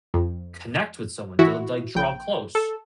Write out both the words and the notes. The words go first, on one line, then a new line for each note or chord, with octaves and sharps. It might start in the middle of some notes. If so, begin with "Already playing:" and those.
connect with someone, du like, draw close.
F2
E3 E4 F#4
A#1 G5
A4